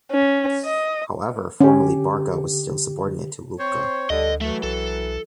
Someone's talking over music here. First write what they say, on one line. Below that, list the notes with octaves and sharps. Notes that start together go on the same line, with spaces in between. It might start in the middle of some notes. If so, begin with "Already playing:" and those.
However, formally Barga was still subordinate to Lucca.
C#4
D#5
D3 C#4 G4
C4 C5 C#5
D2 G2 D3 D#5
E3 F#3 A3
B1 A4